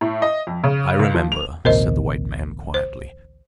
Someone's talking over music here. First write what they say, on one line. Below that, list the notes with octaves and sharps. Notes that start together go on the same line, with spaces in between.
"I remember," said the white man, quietly.
A2
D#5
F2
C#3
C#2
F3
F7
A1 D2 B2 A#4 C5 D#5
C5